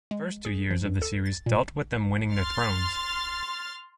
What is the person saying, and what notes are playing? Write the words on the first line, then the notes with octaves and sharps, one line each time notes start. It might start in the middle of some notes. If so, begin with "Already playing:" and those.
The first two years of the series dealt with them winning their thrones.
G#3
G#4
F3
G2
A4
A6
A#2
C6 F6 A6